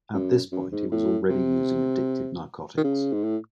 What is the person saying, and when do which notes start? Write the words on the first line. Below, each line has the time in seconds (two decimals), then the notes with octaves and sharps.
At this point, he was already using addictive narcotics.
0.14 F#2
0.52 F#2
0.72 G#2
0.91 A2
1.29 C3
2.77 D#3
2.84 C#3
3.13 G#2
3.23 A2